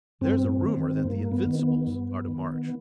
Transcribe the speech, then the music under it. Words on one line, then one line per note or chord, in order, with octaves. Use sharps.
There is a rumor that the Invincibles are to march.
G2 C4
C4
D#3
C4
G2 A#3
B3
D#3
B3
G2
D#3